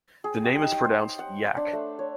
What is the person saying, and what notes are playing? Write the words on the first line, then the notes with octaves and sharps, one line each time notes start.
The name is pronounced "Yack".
G#4
G4
D#4
C5
F#5
C5
D4
A3
C#5